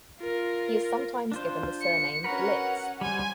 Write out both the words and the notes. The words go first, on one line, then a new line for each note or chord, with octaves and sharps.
He is sometimes given the surname Litz.
F4 A#4
D4 F4 C5
C#7
C#4 F#4 A#4 B4 F#5
G3 C5 G#5